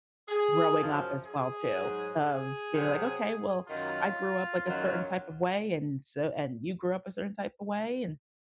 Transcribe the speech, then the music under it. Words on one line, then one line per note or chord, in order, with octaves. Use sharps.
growing up as well too, of being, like, "Okay, well, I grew up, like, a certain type of way, and so and you grew up a certain type of way, and
G#4
F#2 F3
G#4
G#2 F#3
G#4
C3 F#3
F#2 D#3 F#3 F4
F#2 D#3 F#3